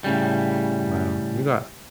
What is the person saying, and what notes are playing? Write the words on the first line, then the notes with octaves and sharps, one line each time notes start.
Wow. You got
A2 C#3 G3